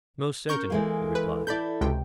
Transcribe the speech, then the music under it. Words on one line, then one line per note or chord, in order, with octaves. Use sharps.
Most certainly, he replied.
C#4 A#4 C#6 G6
E3 G#3 A#3 A4
B4
E4 A4 D5 B5 G6
C#2 C3 F#4 G5